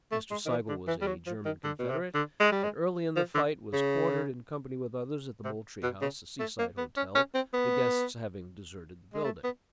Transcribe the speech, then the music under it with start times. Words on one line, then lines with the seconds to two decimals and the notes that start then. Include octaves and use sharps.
Mr. Seigel was a German Confederate, and early in the fight was quartered, in company with others, at the Moultrie House, a seaside hotel, the guests having deserted the building.
0.12 A3
0.31 G#3
0.46 D#3
0.50 E3
0.69 D3
0.88 E3
1.02 G3
1.07 F#3
1.27 F3
1.45 D#3
1.64 D3
1.79 B2
1.89 C3
2.15 D3
2.40 G#3
2.52 G3
2.64 G#3
3.16 F3
3.35 D3
3.73 C#3
5.44 C3
5.83 B2
6.01 C#3
6.40 A3
6.59 A#3
6.77 B3
6.97 C#4
7.15 C#4
7.34 C4
7.54 B3
9.13 G#3
9.24 A3
9.44 B3